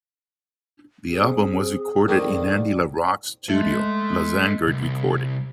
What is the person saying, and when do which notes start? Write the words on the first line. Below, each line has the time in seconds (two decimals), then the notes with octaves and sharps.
The album was recorded in Andy LaRocque's studio Los Angered Recording.
1.10 C4 G#4
2.08 F2 G#2 D#3 A#3 D5
3.49 G#3 A4 E5
4.67 C2